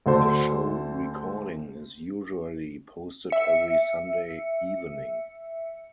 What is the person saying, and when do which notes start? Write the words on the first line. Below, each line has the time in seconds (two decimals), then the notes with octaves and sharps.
The show recording is usually posted every Sunday evening.
0.06 D2 D3 F#4 A4 C5
3.30 E5 C#7